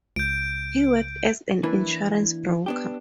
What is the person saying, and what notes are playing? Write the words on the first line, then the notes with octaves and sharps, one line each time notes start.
He worked as an insurance broker.
C#2 G6 D7
E3 A#3 D4 E4 B4
B3 D4 G4